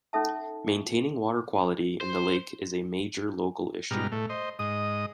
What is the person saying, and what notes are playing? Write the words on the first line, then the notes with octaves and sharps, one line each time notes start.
Maintaining water quality in the lake is a major local issue.
C#4 D#4 A4 E5 A5
C5
G#2 B2 G3 A#5 F6
A2 A3
C5 D#5
G#2 D#5 D#6